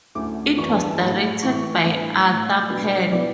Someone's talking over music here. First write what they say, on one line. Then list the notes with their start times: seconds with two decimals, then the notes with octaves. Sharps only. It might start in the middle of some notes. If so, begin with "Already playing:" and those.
It was directed by Arthur Penn.
0.15 D2 D3 A3 C#4 E4 D6
0.57 F#2 E3 B3 D4 C#6
0.68 A5
0.89 A5
1.00 A2 F#3 A3 B5
1.42 A2 E3 B3 E4 C#6
1.53 C#6
1.63 C#6
1.74 A5
1.85 A2 G3 B3 D4 B5
2.27 A2 F#3 A3
2.69 E2 B2 F#3 B3 D4
3.12 B2 G3 B3 E4 D5